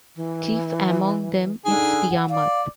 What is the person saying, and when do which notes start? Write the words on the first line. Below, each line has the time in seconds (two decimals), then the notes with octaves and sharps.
Chief among them is Tiamat.
0.16 E3
1.65 D3 D#4 G#4
2.10 F#5
2.29 D5 F5